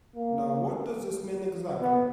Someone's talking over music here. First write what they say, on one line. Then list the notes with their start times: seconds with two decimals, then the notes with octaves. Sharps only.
Now what does this mean exactly?
0.15 A#3
1.81 B3